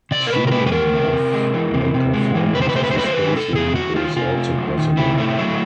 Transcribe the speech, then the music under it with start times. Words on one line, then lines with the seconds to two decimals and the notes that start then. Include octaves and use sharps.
Tuning of the performance of a space vehicle is also possible.
0.11 C3 D5
0.27 A#4
0.32 C3 B4
0.47 A#4
0.51 G#3 B4
0.67 B4
0.72 E3 A#4
0.93 C3
1.12 C3
1.34 G#3
1.54 E3
1.74 C3
1.94 C3
2.14 G#3
2.35 E3
2.54 C3 B4
2.62 C5
2.69 B4
2.74 A3 C5
2.84 B4
2.91 C5
2.95 F#3 B4
3.06 C5
3.13 D#3 B4
3.36 C3 A4
3.55 A3 G#4
3.75 F#3 F#4
3.96 D#3 F4
4.16 C3 F4
4.37 A3
4.58 F#3
4.77 D#3
4.97 C3 E4
5.18 A3
5.39 F#3